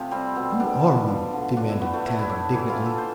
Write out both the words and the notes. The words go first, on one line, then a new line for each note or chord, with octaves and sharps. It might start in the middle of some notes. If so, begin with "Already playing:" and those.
"Who are you?" demanded Tad indignantly.
Already playing: C3 F3 A3
G3 C4
B2
B2 D4
B2
F3
D3
F3 D4
E4
A3 B3
A3
A2 E4
E4
A2 D4
E3 E4
F4
A3
A4
C5